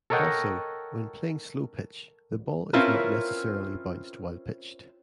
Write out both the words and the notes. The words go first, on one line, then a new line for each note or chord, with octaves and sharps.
Also, when playing slow pitch, the ball is not necessarily bounced while pitched.
A4 A#4 C#5 D#5 F#5 G5
C4 C#4 E4 F4 A#4 B4